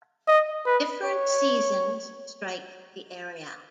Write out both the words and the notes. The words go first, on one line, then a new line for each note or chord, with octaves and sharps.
Different seasons strike the area.
D#5
B4
C#5